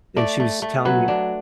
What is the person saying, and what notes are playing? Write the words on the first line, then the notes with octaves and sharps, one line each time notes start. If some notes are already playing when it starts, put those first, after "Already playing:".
and she was telling me
A3 D5
A3
A3
F#3 B4
D4